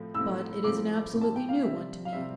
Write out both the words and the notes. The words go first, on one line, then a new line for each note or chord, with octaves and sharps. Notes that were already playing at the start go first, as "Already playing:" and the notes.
'But it is an absolutely new one to me.
Already playing: A2 F3 A3 C4
A2 F3 A3 C4 E6
A2 F3 A3 C4 D6
A2 F3 A3 C4
A5
G5
F5
C3 G3 C4 E5
F5
C3 G3 C4 E5